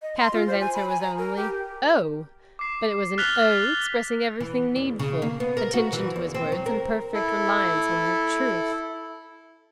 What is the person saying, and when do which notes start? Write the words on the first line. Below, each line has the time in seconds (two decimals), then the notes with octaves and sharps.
Catherine's answer was only "Oh!"--but it was an "Oh!" expressing everything needful: attention to his words, and perfect reliance on their truth.
0.02 D#5
0.18 C6
0.33 F4
0.47 C5
0.61 G#5
0.75 B5
0.89 G#5
1.01 A#5
1.18 A#4
1.37 G4
2.59 D6 C7
3.18 F6 F#6 A6 B6 F7 G7
4.40 E3
4.76 E2
4.99 C#3
5.22 A#3
5.40 B3
5.57 A#4
5.74 F#4
5.93 E3
6.16 E2
6.34 C4
6.52 F#3
6.66 A#4
7.14 E4 A4